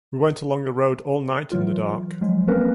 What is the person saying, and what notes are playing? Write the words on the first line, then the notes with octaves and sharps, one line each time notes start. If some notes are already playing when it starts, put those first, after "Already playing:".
We went along the road all night in the dark.
E3 F#3 F4
F3 F#3 G#3
A#3 C4 C#4 A#4 B4